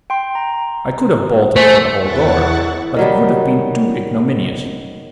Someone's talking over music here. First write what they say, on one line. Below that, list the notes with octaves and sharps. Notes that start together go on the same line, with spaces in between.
I could have bolted for the hall door, but it would have been too ignominious.
G5 C6
A#5
A3 C5 G#5 B6
E2 E4 F#5 C#6 F#6 A6
D#3 F#3 G3